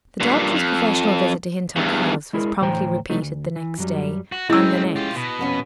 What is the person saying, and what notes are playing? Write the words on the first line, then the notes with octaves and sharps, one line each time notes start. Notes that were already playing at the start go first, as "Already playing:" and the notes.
The doctor's professional visit to Hintock House was promptly repeated the next day and the next.
G2 A#2
F2
E2 G2
G#3 E4 G#4 A#4
D2 A2 E3 C5 G5 A#5
C2 F#3 A3 D#4
D2
E3
F#2 F#3 G3
F#4
A2 G#3 C4 C#4 E4 E6
F4 G4
B2
F2 B3 C#4